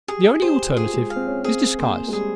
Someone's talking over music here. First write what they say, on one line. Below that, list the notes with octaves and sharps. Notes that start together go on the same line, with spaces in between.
The only alternative is disguise.
G4 G#4
G4 C5
G4
F4 G#4
G#3
F5
C4
C#4
C4 G#4
A#3 C5
G#3
G3 G#4